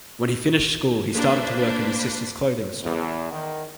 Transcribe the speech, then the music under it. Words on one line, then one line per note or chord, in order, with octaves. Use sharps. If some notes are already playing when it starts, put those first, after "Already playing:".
When he finished school he started to work in his sisters' clothing store.
A#3 D4 B4 C5
E2
D#3